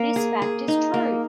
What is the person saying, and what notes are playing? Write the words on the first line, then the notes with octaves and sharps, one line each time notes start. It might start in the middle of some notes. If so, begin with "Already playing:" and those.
This fact is truth!
Already playing: A#3
G#4
G#4
D#4
A#3